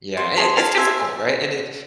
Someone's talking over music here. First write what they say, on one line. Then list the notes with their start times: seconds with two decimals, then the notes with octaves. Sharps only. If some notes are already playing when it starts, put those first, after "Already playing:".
Yeah, and it it's difficult, right? And it
0.17 C5
0.37 G#4 A5 C6
0.57 G#4 F5 A5
0.77 C5 E5 G#5